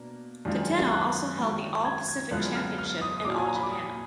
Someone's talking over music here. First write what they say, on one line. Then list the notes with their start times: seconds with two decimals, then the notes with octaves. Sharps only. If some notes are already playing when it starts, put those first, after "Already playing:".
Tateno also held the All Pacific Championship in All Japan.
Already playing: B2 A#3 D4
0.45 F#2 D#3 G#3 D4 F4
0.92 F#6
1.38 G#2 D#3 F#3
1.85 G#6
2.08 G#6
2.31 F#2 D3 G#3 B3 F4 F#6
2.55 F6
2.78 F6
3.01 D#6
3.17 D#6
3.25 A#2 F#3 D4 F4 D6
3.38 G#5
3.47 A#5
3.55 B5
3.63 D6
3.71 D#6